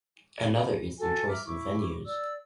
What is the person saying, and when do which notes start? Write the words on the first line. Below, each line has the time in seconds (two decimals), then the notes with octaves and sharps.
Another is their choice of venues.
0.98 F#4 A4 G#5
1.28 E5 A#5 D6 F6
1.45 E4 C#6 D6
2.04 D5 E6